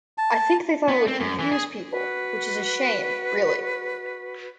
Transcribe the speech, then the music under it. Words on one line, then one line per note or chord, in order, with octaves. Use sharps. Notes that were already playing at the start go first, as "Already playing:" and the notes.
I think they thought it would confuse people, which is a shame, really.
A5
B3
C4
F#2
E3
G#4
F#4 B4